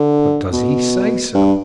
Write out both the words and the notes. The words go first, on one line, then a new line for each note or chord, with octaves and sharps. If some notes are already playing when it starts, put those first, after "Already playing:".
"But does he say so?"
Already playing: D3
B2
G2